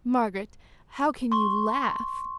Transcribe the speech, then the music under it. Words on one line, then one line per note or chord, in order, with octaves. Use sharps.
"Margaret, how can you--laugh!"
C6 C#6